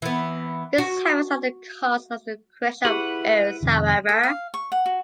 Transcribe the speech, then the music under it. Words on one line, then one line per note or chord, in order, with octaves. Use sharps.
This happens at the cost of the correction of errors, however.
E3 B3
F#4
E4 G4 G#4 B4 F#5
F2 C3 D#3
A4
F5
C#6
F#5
F#4